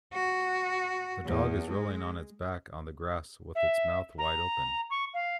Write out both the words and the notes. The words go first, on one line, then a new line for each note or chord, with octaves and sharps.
The dog is rolling on its back on the grass with its mouth wide open.
F#4
E2
G#3
E5
A#5
C#6
F5